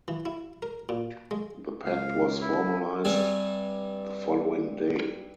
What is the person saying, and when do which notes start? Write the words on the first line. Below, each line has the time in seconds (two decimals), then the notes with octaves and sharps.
The pact was formalized the following day.
0.08 E3
0.26 E4
0.62 A#4
0.89 A#2
1.31 G#3
1.85 C#2 F5
2.41 E4
3.05 G2 C3 G3 G#5